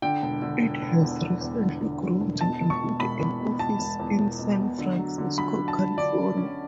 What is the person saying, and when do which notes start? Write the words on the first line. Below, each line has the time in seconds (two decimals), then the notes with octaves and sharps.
It has recently grown to include an office in San Francisco, California.
0.02 D3 G5
0.22 E1
0.42 D3
0.62 E1
0.82 E1
1.02 E2
1.21 E2
1.41 E2
1.61 D3
1.81 D3
2.01 E2
2.21 E1
2.41 B2 A5
2.61 E1
2.70 C#6
2.80 B2
3.00 E1 B5
3.20 E2
3.40 B2
3.59 E1 A5
3.79 E1
3.99 E2
4.19 E1
4.39 B2
4.59 B2
4.79 D3
4.98 F#3
5.18 D3
5.38 F#3 B5
5.58 F#3
5.68 A5
5.78 D3
5.97 D3 D5
6.18 C#4
6.37 C#4